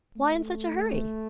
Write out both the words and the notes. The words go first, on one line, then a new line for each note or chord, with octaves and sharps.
"Why in such a hurry?"
A3